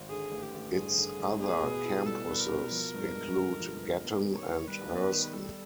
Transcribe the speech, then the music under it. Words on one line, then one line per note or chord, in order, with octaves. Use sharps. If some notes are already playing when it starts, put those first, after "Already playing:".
Its other campuses include Gatton and Herston.
Already playing: G#1
D3 G#4
A1
G4
A1
G2 G#4
D3
A1
B3 G#4
B2
E4
G3 A4
B3
A#4
B2
F3
G2
G#3
D3
F3
G2
B3
D#3
C#5
D#3
G3 B4
B3
D#3
G3 A4